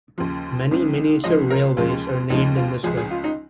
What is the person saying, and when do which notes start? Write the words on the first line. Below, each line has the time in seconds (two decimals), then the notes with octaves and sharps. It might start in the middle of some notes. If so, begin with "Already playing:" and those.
Many miniature railways are named in this way.
0.18 D#2 C#3 F3
0.71 C#2 C#3 F3
1.24 C#2 C#3 F3 D#5
1.50 A#4
1.77 D#2 C#3 F3 G#3 F4
2.30 D#2 C#3 F3 G#3 D#4
2.57 F4
2.83 C#2 C#3 F3 G#3 G#4
2.97 G#4
3.11 F4
3.24 D#4